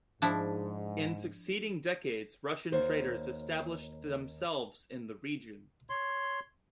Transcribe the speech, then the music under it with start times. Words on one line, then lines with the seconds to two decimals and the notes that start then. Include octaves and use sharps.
In succeeding decades Russian traders established themselves in the region.
0.22 G#2 F3 D4 E4
2.72 D#2 F#4 C5 C#5
5.90 C#5 C6